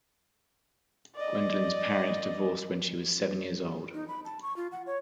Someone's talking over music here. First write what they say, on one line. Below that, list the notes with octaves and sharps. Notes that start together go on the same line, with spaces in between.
Gwendolyn's parents divorced when she was seven years old.
D5 D#5
D#4
B5
A5
C#6
F4
F#5
C#5